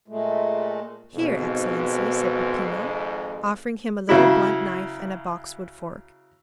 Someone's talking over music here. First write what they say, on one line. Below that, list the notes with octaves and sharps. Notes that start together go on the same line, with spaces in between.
"Here, excellency," said Peppino, offering him a little blunt knife and a boxwood fork.
A#2 G#3 A3
G#1 F2 G#2 B2
C#3 F#3 E4